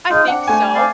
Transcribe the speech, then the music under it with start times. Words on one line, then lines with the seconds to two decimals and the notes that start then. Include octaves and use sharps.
I think so.
0.10 G#3 D#4 F4
0.28 C4 D4 F#5
0.48 A3 G#5
0.74 C4 D5 F5